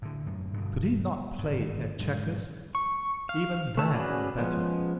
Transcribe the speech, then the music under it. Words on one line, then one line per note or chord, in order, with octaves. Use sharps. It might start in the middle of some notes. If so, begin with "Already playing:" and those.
Could he not play at chequers? Even that were better.
A2 D3
F#2 A2
G2 B2 D3
G#1 G2
E1 G#2 F#3 G#3
C#6
F5
A3 B4 A5 E6
C#4 F#4 G#4 B4 D5
F3 G#3 B3 C#4